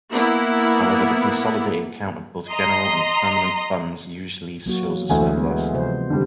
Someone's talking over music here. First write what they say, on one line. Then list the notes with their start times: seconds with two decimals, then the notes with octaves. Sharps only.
However, the consolidated account of both General and Permanent Funds usually shows a surplus.
0.10 A#3 B3 E4
2.51 D#5 A#5 C6
4.66 F#3 A#3 F#4
5.09 D2 E3 G#5
5.34 G#3 B3
5.74 C3 F3 C5
6.10 D3 G3 C4